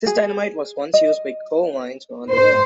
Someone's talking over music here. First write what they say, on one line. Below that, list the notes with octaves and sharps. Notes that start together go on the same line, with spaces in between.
This dynamite was once used by coal mines around the world.
G#4
D#5
C5